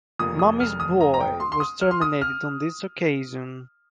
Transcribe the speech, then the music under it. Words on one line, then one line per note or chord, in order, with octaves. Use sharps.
"Mummy's Boy" was terminated on this occasion.
F1 F2 F3 A#3 D#6
D#6
F6
D#6
A#5
A#5
G5
C6
C6
D#6
F6
C6
D#6
F6